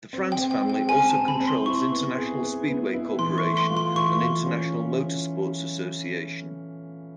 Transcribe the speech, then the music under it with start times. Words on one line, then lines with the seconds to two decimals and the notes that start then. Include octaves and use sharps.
The France family also controls International Speedway Corporation and International Motor Sports Association.
0.13 C4
0.32 G5
0.38 C4
0.51 G5
0.63 G#3
0.70 G5
0.89 C4 G#5
1.09 A5
1.15 C4
1.28 B5
1.40 C4
1.47 C6
1.66 E4 C#6
1.92 B3
2.17 G#4
2.43 B3
2.68 B3
2.94 E4
3.19 E3 C6
3.38 C#6
3.45 A3
3.57 C6
3.70 F4
3.77 C6
3.96 E3 C#6
4.21 F4
4.46 C#4